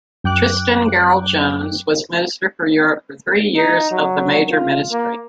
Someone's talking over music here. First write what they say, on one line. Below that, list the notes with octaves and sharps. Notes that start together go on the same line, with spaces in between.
Tristan Garel-Jones was Minister for Europe for three years of the Major ministry.
F#2 G5 D6 F#6
D#4
F#3
F4
A#3